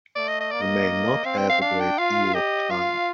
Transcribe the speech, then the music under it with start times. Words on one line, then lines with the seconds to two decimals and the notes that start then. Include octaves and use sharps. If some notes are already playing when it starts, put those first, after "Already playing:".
You may not have a great deal of time.
0.16 A3 D5
0.28 D#5
0.40 D#5
0.50 A#3 D5
0.61 D#5
1.25 C4 F5
1.37 G5
1.50 F5
1.62 D4 F5
1.80 G5
1.98 F4 F5
2.34 G4 D#5
2.70 F4 F5